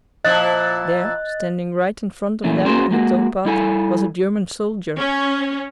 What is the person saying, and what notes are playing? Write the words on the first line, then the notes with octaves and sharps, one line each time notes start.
There, standing right in front of them in the tow-path, was a German soldier!
A#2 F3 E4 D#5 F#6 A6
A#2 E3 A3 A#3 C#4
A#3 C#4 F#4 G#4 A#4 C5
G#3 A#3 F#4
G3 E4 A4 G#5
C#4